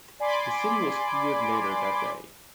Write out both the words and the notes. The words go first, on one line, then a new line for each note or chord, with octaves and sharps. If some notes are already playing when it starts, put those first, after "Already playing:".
The city was cleared later that day.
D5 G#5 B5 C6 D6